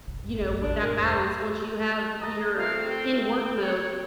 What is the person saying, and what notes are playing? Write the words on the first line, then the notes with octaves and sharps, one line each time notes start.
you know, with that balance, once you have w you're in work mode,
G1 C2
F#1 A2
A#1 F#2 A2
A1 E2 D3 D4
G#2 B2 A#4
E2 G2 C5
D#5 A5 A#5 A6
A3 C4 F4 A#4 F5
G5
F#7
C#5